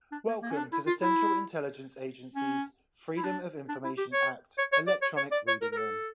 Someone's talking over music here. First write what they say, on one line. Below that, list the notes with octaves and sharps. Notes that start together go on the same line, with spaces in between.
Welcome to the Central Intelligence Agency's Freedom of Information Act Electronic Reading Room.
D4
A#3
A#3
C#4
D4
E4
F4
E4
C#4
E4
D4
D4
E4
G4
C#5
C#5
C#5
D5
C#5
C#5
D5
C#5
A#4
A#4
A4